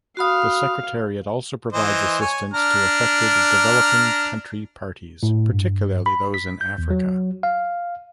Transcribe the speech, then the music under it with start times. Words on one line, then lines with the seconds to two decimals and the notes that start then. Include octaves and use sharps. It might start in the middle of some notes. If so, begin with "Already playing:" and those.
The secretariat also provides assistance to affected developing country Parties, particularly those in Africa.
0.17 F#4 F5 B5 D#6
1.73 E3 C5 D#5
2.21 C#5 G#5
2.54 D4 A#5 F6
5.23 A2
5.52 G2
6.06 B5
6.34 B6
6.61 G6
6.78 E2
6.90 F#3
7.43 F5